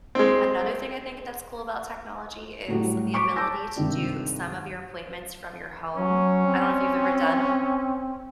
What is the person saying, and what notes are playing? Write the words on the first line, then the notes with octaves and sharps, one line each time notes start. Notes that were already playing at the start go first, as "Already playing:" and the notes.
another thing I think that's cool about technology is the ability to do some of your appointments from your home. I don't know if you've ever done
G#3 C4
A2 F#3 G3
C#6 D6 B6 D7
A5 D6 E6 G6 A#6
G2 C3 D#3 G#3
F#3 C#4
C4